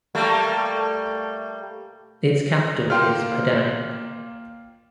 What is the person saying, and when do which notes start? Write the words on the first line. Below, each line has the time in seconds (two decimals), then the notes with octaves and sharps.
Its capital is Padang.
0.15 G3 A3 A#3
2.90 A#3 F4 F5 G5 C6 F6